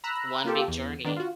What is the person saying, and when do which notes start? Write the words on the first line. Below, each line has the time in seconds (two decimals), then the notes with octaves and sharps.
one big journey.
0.04 A#5 B5 E6 F#6
0.45 A#3 F4 G4 A4
0.68 E2
1.04 D#3 B3 D4
1.17 F4 F#4